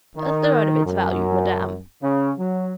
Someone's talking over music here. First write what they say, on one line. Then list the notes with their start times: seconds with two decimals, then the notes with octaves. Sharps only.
"A third of its value, madame."
0.16 D#3
0.85 F#2
2.01 C#3
2.38 F#3